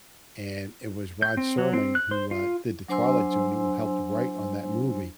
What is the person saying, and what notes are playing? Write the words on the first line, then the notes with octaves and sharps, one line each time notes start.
and it was Rod Serling, who, uh, did The Twilight Zone, who helped write on that movie,
G6
C4
F#3
C4
F#6
C5
F4
F#3 D4 C5 G#5 C6 E6